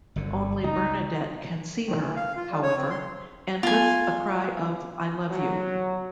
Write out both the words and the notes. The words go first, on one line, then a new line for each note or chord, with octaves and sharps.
Only Bernadette can see her, however, and with a cry of I love you!
G1 F#2 D3
C#2 D#4
D#3
E3
F5
F4
G3
C#5
C4
C6
B3 F4 G#5
F#3